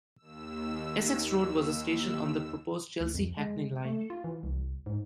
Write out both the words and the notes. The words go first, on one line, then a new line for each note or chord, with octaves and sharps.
Essex Road was a station on the proposed Chelsea-Hackney line.
D#2 E6
D2
F2
G#3
A3
F4
E3
C2
G#2